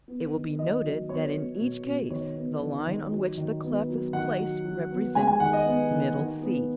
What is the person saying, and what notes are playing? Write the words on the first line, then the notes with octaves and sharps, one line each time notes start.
It will be noted that in each case the line on which the clef is placed represents "middle C."
B3
D#3
D#3 D#5
F#3
B3 C#5
B3
B2
B2
D#3 C#5
B3
D#3
D#3
F#3
D#3
B3
F#3
D#3 F#5
F#3
F#3
B3
G#3 G#5
G#5
D#3 F#5
D#5
B3
D#3
D#3
B3